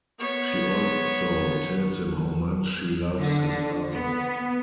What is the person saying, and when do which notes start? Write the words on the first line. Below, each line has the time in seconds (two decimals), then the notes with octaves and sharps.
She also tells him how much she loves his father.
0.19 B3 C#5
3.18 D3
3.94 B3